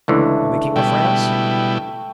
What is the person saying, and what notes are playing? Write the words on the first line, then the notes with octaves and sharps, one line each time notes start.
"From the king of France?"
C#2 D3 E3 A3
B2 G3 E4 G5 C#6